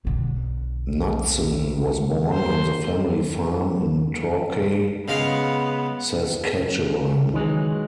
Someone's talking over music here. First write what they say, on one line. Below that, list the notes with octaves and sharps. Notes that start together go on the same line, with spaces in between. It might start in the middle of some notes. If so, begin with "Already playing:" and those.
Knutson was born on the family farm in Torquay, Saskatchewan.
B1 D3
C5 C6
C#3 G#3 B3 F5
D#3 E3 F#3 G#3